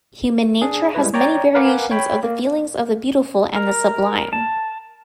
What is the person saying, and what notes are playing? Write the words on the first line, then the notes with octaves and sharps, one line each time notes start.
Human nature has many variations of the feelings of the beautiful and the sublime.
D4 G#4
G3 G#3 E4 B4
C#5 D5 G5 A#5
A#4 B4 F5 F#5 G#5 D6
C#5 G5 B5
A#3
A#4
A5